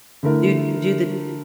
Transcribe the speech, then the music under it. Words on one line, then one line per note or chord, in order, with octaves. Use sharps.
do do the
D3 A3 E4 A#4